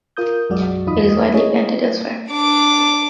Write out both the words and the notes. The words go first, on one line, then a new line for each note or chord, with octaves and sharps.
It is widely planted elsewhere.
F4 A#4 D#6 G6
B1 F#2 G#3 F#4 D5
E2 D#4 F4 B5 D#6
C#4 E4 G#4 C#5 D#5
D4 D6